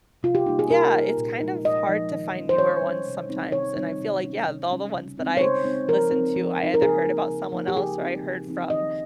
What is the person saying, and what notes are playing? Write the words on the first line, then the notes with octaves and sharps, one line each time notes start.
Yeah, it's kind of hard to find newer ones sometimes, and I feel like yeah, all the ones that I listened to, I either heard about someone else or I heard from
C3 F4
G4
G3 A#3 D#4
G#4
C3 A#4
G3 A#3 D#4
A#2
F3 G#3 D#4
A#2 D#5
F3 G#3 D#4
D#3
G3 C#4
C5
D#3 C#5
G3 C#4
C3
D#3 G3 C4 D#4
C3 C#5
D#3 G3 C4 D#4
C3
G3 C#4
C3
G3 C#4
C#3
G#3 C4 D#4
C#5
C#3 C5
G#3 C4 D#4
F3 A#4
C4 D#4
F3
C4 D#4
A#4
C#3 G#4
F3 A#3 D#4
C#3
F3 A#3 D#4
G4
C#3 G#4
F3 C4 D#4
C#3
F3 C4 D#4
D#3 D#5